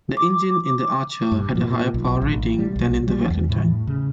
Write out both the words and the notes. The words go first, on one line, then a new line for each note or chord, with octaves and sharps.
The engine in the Archer had a higher power rating than in the Valentine.
D6
G2
A#2
B1
A1
G3
B1
G3
E2
A2
C#3